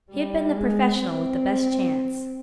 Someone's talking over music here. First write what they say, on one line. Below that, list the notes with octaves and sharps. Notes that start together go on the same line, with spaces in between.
He had been the professional with the best chance.
G3
G#3
C4